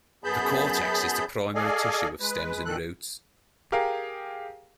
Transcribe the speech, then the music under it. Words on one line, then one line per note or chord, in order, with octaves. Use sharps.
The cortex is the primary tissue of stems and roots.
F#2 B3 G#4 A5 B5 G6
G#4 A4 D5 D#5 F5 G#5
G#3 B4
A#2 D#3 A4 F#6
G4 G#4 A#4 F5